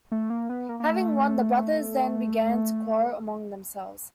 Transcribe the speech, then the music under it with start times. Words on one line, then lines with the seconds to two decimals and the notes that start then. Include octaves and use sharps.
Having won, the brothers then began to quarrel among themselves.
0.12 A3
0.30 A#3
0.49 B3
0.69 A#3
0.80 A#3
0.89 A3